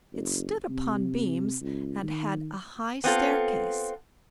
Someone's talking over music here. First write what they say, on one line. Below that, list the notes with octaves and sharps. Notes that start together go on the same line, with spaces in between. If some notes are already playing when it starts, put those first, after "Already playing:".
It stood upon beams, and had a high staircase.
F#1
C3
C#2
D#3
B3 C4 F4 A4